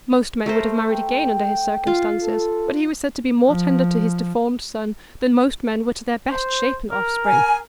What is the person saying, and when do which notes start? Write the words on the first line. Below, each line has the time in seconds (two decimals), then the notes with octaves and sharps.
Most men would have married again under his circumstances, but he was said to be more tender to his deformed son than most men were to their best-shapen offspring.
0.46 A3 A#4 C5
0.90 G5
1.87 F4
2.23 A4
3.48 F3
6.31 C5
6.92 A#4
7.24 G#5